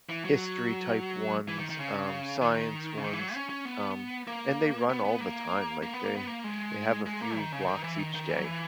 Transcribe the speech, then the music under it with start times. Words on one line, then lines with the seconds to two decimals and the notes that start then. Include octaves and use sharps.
history type ones, um, science ones, um, and they run all the time, like, they they have a few blocks each day.
0.09 E3
0.25 F#3
1.48 E3
1.59 D#3
1.70 D#3
1.80 C#3
2.42 D#3
2.97 C#3
3.04 D#3
3.13 E3
3.19 F#3
3.35 C#4
3.49 C#4
3.65 B3
4.27 A#3
4.89 B3
5.05 B3
5.20 A#3
5.82 A#3
5.93 B3
6.05 A#3
6.16 B3
6.27 A#3
6.44 G#3
7.06 G#3
7.21 A#3
7.37 D#3
7.52 C#3
7.68 D#3
7.83 E3
7.99 D#3
8.14 D#3
8.30 E3
8.37 F#3
8.44 E3